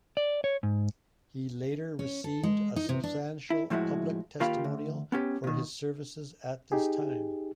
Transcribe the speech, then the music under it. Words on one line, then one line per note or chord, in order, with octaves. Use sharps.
He later received a substantial public testimonial for his services at this time.
D5
C#5
G#2
C#4
A4
G#3
D#4
C3
D4
E4
A2 F3 G#3 E4 F#4
D#2 A#3 F4 G4 F5 B5
D2
B3 C#4 G4
A#2 D#3
D#4 G4 G#4